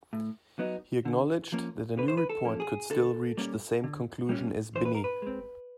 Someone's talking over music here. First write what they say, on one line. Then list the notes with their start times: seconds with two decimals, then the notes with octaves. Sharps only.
He acknowledged that a new report could still reach the same conclusion as Binnie.
0.13 A2
0.59 F#3 B3 D#4
1.05 D3
1.52 F3 A#3 C#4
1.98 D3 B4
2.08 C5
2.17 B4
2.29 A4
2.45 F3 A#3 C#4
2.60 G#4
2.90 D3 A4
3.37 G3 A#3 C#4
3.84 D3
4.29 G3 A#3 C#4
4.75 E3 C5
4.85 B4
4.95 A#4
5.04 B4
5.22 G#3 C4